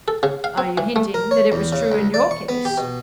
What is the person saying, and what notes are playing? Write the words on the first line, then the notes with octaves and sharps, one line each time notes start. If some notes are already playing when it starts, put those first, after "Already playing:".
"Are you hinting that it was true in your case?"
A4
C#3
F5
C4
E3
A3
A#4
C#5
E2
C#3
C#2
D5
C#6
B3
G4
B2